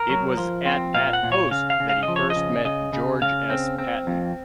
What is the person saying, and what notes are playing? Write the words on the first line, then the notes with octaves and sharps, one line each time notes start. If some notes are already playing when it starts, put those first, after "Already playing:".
It was at that post that he first met George S. Patton.
Already playing: A#4
F#3
F3
C4
A#2 F5
F#5
A#2
C#5
C#3 F5
F5
C#3
F5
D#5
F3
C#5
D#5
C#3
C#3 D#5
C#3
C#3 F5
C4
C4
F2